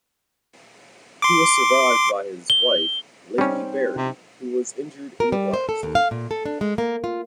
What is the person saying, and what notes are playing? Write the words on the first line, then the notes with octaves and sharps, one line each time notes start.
He was survived by his wife, Lady Berry, who was injured in the blast.
C6 D6
G7
G3 C4 C#4 D#4
C3
A#4
G3
C5
A4
D#2
F5
A#2
A4
D4
G#3
A#3
F4